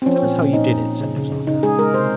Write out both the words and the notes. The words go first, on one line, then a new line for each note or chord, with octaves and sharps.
Tell us how you did it!' said Nazarka.
C4
F3 C#4
A#2
A#2 C#4
A#2 D#4
A#2
A#2
C#3
C#3
C#3
C#3 D#4
G#3 G#4
G#3 A#4
C3 C5